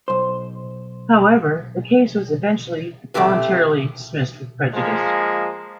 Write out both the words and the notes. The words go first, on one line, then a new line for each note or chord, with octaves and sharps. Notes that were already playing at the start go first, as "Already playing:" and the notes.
However, the case was eventually voluntarily dismissed with prejudice.
B1 C5
E3 A3 C4 G4 B4
F3 G#3 A#3